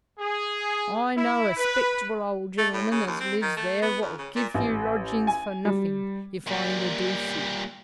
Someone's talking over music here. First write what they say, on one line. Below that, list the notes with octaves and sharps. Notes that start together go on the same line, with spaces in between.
"I know a 'spectable old genelman as lives there wot'll give you lodgings for nothing if I interduce you."
G#4
E4
B4
A3
A2
C#3
D#2
C4
D#3
A3
B3
F2
C#3
A#2
A1
G#5
G3
A#2 G3